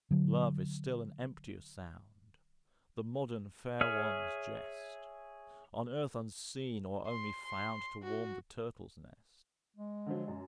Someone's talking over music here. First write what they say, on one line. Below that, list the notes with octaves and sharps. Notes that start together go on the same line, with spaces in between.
"And love is still an emptier sound, The modern fair one's jest; On earth unseen, or only found To warm the turtle's nest."
D3 F#3
G#4 C#5 E5 F6
C6
C6
F#4
G#3
D3 F3 F#3
F#2